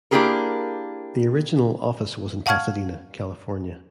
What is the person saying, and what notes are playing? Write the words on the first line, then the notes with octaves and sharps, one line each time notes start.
The original office was in Pasadena, California.
A#3 D4 E4 G4 G#4 A#4
F5 F#5 A5 C#6 F6 G#6